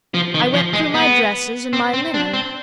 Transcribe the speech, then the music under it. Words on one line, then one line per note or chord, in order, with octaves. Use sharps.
I went through my dresses, and my linen.
F3
D#3
F3
G#3
B3
C4
C4
D4
C4